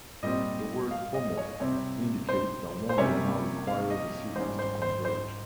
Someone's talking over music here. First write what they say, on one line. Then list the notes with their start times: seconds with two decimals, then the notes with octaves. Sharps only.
The word "formal" indicates that one does not require the series to converge.
0.23 A#2 G3 C4 D#5
0.91 F5
1.14 D#5
1.37 C#5
1.60 C3 G3 C4 C#5
2.29 C5
2.89 C5
2.98 C3 G3 A#3 C#4 C#5
3.67 F5
3.90 D#5
4.36 G#2 G3 C#4 C5
4.59 C5
4.82 C5
5.05 C5